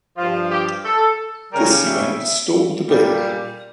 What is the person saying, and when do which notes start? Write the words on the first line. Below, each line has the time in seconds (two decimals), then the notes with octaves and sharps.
This event stalled the bill.
0.16 G2 F3 F4
0.51 G4
0.84 A4
1.52 C#3 G3 A#4
1.86 E5
2.88 A#2 G3